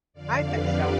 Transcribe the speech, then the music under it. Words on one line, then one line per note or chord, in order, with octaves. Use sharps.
I think so.
F2 D3 D5 F5
G4 B4